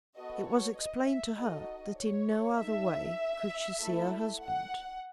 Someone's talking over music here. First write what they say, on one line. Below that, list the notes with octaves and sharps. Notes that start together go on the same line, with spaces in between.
It was explained to her that in no other way could she see her husband.
B3 F#4 A4 D#5
C#5
D#5
E5
D#4 F#4 A4 D#5
C#5
D#4 A4 E5
A3 E4 A4
F#5